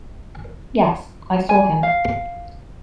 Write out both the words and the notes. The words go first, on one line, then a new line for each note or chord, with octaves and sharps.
Yes, I saw him.
G#5
F5